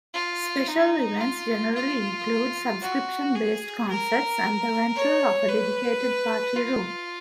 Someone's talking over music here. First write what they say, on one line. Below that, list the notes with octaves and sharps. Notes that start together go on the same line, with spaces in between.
Special events generally include subscription-based concerts and the rental of a dedicated party room.
F4
D#4
F4
F4
F#4
G#4
A#4
C#5
B4
F4